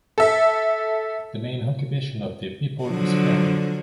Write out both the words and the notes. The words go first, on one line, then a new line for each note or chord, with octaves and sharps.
The main occupation of the people is farming.
A4 E5
D3 F3 F#3